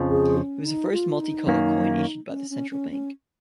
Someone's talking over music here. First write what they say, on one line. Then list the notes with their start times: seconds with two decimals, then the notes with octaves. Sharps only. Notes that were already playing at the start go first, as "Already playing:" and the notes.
It was the first multi-colour coin issued by the Central Bank.
Already playing: F2 C#3 F3
0.10 G#4
0.37 C#4
0.65 D#4
0.92 F4
1.20 D#4
1.47 F#2 D#3 A#3 C#4
2.29 C#4
2.50 C#4
2.71 C#4
2.91 C#4